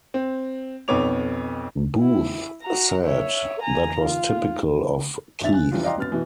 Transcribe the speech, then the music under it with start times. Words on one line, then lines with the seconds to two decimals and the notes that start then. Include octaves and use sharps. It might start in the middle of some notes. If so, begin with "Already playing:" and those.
Booth said That was typical of Keith.
0.14 C4
0.88 B1 F2 B3 C#5 D6 F7
1.99 E4
2.63 F#4 A#5
3.04 C#5 E5
3.62 G#5 A#5
3.98 F4
5.41 G#1 D#2 D4 E5 A6 F7
5.53 G#5 F#6
5.72 F1 C#3 E3 G3 F4
5.84 D5 D#5 F5 G5 A#5 C6
5.98 F#2 B3 F6 A6
6.12 B2 E3